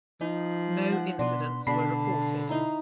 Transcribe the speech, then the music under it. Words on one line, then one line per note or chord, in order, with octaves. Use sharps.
No incidents were reported.
F3 D#4
F#5
B2 D4 B4 C6
B2 D3 D4 A5 B5 C7
D#4 E4 A#5